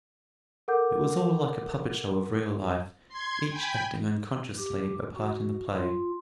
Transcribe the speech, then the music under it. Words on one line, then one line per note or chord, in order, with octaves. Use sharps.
It was all like a puppetshow of real life, each acting unconsciously a part in the play.
A4 A#4 F#5 D6 G6
C6 G#6
G5 G#5 B5 G6
G4
F#4
F4